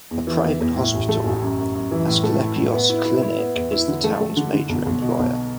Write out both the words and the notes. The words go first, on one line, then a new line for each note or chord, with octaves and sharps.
A private hospital, Asklepios Klinik, is the town's major employer.
E2
E3
E2
E2
A2
A1
A3
A1
F#2
F#2
F#2
E3
A2
A3
E4
A2
B3
E4
E4
E4
B3
E2
E4
D3
A3
A3
D3
D3
B1
B1
B2
B1